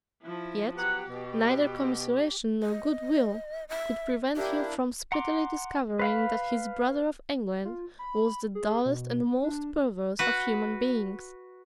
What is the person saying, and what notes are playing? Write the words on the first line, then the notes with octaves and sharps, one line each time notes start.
Yet neither commiseration nor good will could prevent him from speedily discovering that his brother of England was the dullest and most perverse of human beings.
F3 E4
F#3 B3 G4 F#5
B2
D#5
E5
A#3 D4 E4 G4
F#5 A#5 C6 D6
B4 F5 B5
F4
B5
G#4
B2
D4
F#4 B4